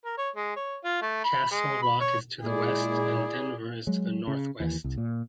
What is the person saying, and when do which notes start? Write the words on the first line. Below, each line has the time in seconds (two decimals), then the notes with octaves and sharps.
Castle Rock is to the west, and Denver is to the northwest.
0.05 A#4
0.17 C#5
0.35 G#3
0.56 C#5
0.84 F4
1.01 A3
1.24 B5
1.51 G#3
1.82 B5
2.00 C#5
2.44 A#2 G#3 E4 G#4 D5
3.87 F#3 G#3
4.27 C#3
4.60 D#2 E3
4.84 C2
4.98 A#2